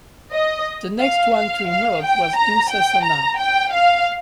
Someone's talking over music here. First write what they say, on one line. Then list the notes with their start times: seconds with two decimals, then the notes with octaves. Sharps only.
The next one to emerge was Dussasana.
0.32 D#5
0.99 F5
1.34 F5
1.68 F5
2.02 G5
2.36 A#5
2.69 G5
3.03 A#5
3.38 G5
3.72 F5